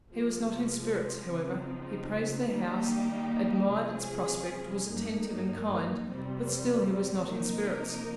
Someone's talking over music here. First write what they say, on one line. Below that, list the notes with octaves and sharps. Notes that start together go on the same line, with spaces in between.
He was not in spirits, however; he praised their house, admired its prospect, was attentive, and kind; but still he was not in spirits.
C3 F3 G#3
C#3 F3 C4 D#4
D#3 G3 A#3 D#4 G4
C3 F3 G#3 C#4 G#4
G2 G3 A#3 D#4
F2 C3 G3 C4
C3 F3 A#3 D#4 A#4